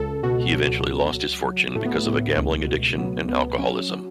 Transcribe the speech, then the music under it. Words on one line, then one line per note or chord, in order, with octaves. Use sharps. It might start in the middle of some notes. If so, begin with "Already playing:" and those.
He eventually lost his fortune because of a gambling addiction and alcoholism.
Already playing: C#2 A4
B2 F#4
F#3
C#2
F#3
F#3
A2 A3
B3
A3
A2
C#2
B2
F#3 B3
C#2 B3
F#3 C#4
F#3